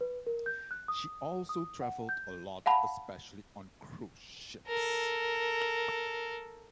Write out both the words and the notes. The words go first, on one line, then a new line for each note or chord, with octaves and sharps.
She also traveled "a lot, especially on cruise ships".
B4
A#4
G6
F#6
D#6
D#6
F#5
G6
F5 F#5 A5 B5
A4 A#4